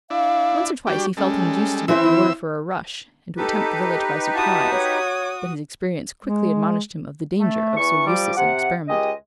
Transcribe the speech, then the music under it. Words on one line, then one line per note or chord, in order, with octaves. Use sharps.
Once or twice he felt induced to give the order for a rush, and to attempt the village by surprise; but his experience quickly admonished him of the danger of so useless an experiment.
D4 E4 F5
G3 D4 F#4 G4
G3 G#3 C#4 A4
E3 C4 E4 C5 E5 E6
D#4 G4 A4 B4
E4 F#4 E5 A5 D#6
C#5
G#3
A3
E2 C#6
F3 G3 D6
C3 F#5
C#2 G#3 G4 D#5